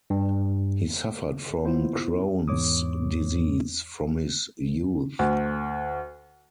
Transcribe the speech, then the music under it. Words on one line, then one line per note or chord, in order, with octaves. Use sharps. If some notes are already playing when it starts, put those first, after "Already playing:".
He suffered from Crohn's disease from his youth.
G2
B3 E4 F4 C5
E2 G#2 C#5 D6 D#6
D2